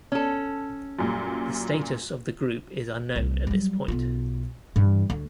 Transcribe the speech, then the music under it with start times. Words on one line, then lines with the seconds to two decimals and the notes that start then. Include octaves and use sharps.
The status of the group is unknown at this point.
0.12 C#4 A4
0.99 F#2 A#2 G3
3.16 C2
3.47 F#3 G3
3.88 B1 F4
4.76 G2 E3
5.10 D2